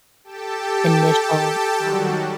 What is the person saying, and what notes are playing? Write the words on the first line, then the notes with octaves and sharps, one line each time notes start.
initial, um,
G4 A4 G5 A5
D#3 F#3 G3 F#4